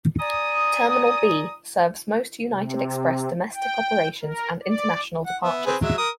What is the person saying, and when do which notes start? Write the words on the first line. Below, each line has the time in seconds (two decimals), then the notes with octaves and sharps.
Terminal B serves most United Express domestic operations and international departures.
0.20 D5 G#5 A#5 D#6
2.49 C3
3.55 G5
4.23 A#4
4.63 D5
5.26 F#5
5.43 B3 E5
5.66 C4 G#4 B4
5.82 F#3 G#3 E5
5.98 A#4 D#6